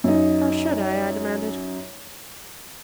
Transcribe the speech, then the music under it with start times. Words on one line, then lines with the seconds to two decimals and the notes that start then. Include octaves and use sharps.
"How should I?" I demanded.
0.04 F#2 D#4